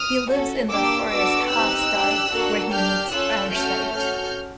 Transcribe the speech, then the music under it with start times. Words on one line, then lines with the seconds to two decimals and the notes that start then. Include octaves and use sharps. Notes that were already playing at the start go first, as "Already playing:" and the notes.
He lives in the forest half-starved, where he meets Arcite.
Already playing: D#6 F6
0.29 C#4 F#4 A4
0.69 A#3 D4 G4 D6 E6
1.10 B3 D4 F#4 A4 D6 E6
1.50 C4 D#4 G4 E6 F#6
1.91 G4
1.96 D4
2.31 A#3 D4 F#4 A4
2.71 D4 G4 F6 G6
3.12 C#4 F4 A4 E6 F#6
3.52 A3 C#4 F#4 A4 F6 G6
3.93 C#4 F#4 A4 F6 G6